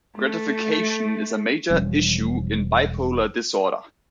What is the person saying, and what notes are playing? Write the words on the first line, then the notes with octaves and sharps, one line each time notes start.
Gratification is a major issue in bipolar disorder.
A3
E1 F3 G3 C#4